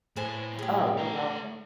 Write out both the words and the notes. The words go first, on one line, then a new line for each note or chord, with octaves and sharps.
Oh, you're welcome.
A2 B4 C5 G#5
G4 G#4
A3 A#5